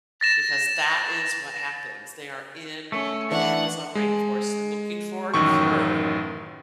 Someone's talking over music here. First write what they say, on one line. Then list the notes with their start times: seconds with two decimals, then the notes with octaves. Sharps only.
because that is what happens. They are in an Amazon rainforest looking for a cure,
0.21 A6 A#6 E7
2.92 A3 C#4
3.31 E3 D4 F#5 C#6
3.95 G#3
5.34 A1 F#2 D#3 C#6